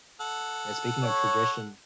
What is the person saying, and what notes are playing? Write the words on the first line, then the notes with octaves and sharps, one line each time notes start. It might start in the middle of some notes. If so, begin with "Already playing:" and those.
eh, speaking of tradition,
A4 F#5
C#5